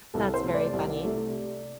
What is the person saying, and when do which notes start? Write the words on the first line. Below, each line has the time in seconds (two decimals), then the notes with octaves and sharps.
That's very funny.
0.14 C2 A4
0.34 C5
0.44 C3 A3
0.54 D5
0.73 C2
1.04 C3 A3